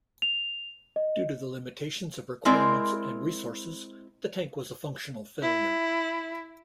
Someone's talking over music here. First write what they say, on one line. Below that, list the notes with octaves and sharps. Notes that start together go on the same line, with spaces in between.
Due to the limitations of requirements and resources, the tank was a functional failure.
F7
D#5
G#3 C4 E4 A#4 D5
E4